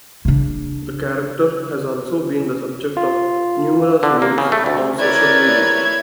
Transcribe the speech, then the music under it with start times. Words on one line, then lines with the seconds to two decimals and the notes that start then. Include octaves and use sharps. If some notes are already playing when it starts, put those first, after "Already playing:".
The character has also been the subject of numerous memes on social media.
0.25 C#3 D4
2.97 F4
4.03 D3
4.22 A#3
4.38 C#3
4.52 A3
4.66 D2
4.99 E4 A#4 B4 C#5 D5 G#6